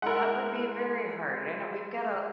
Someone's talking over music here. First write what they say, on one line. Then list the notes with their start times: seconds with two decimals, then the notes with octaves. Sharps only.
that would be very hard. I know we've gotta
0.02 G#3 E4 A#4 F#5